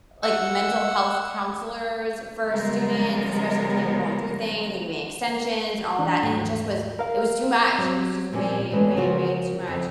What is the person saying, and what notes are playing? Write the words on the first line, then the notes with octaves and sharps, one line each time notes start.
like, mental health counselors for students, especially when they were going through things and giving extensions and all that, and it just was it was too much, it was just way, way, way too much.
F#5 E6
C#3 F3 G3 G#3 B3 A#4
E3 D4
D#2 G#2 A3
A#4 F5
F#3 C4
A#2 F3 G3 A#3 C4 C#4
E3 G#3 A3 B3 C#4
C#3 F3 F4 F#4 A#4 C5
F2